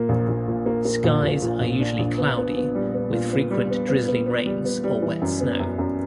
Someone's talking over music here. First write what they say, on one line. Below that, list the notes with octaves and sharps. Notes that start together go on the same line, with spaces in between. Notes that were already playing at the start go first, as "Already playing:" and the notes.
Skies are usually cloudy, with frequent drizzling rains or wet snow.
Already playing: A#2 A#3
A#1
A#1
A#2
A#3
A#3
A#1
A#1
A#2
A#1
D4
A#1
B3
B3
B3
G3
B3
A#2
B3
G3
B3
B3
B3
B3
G3
B3
G3
E3
F#2
B3
F#2
F#2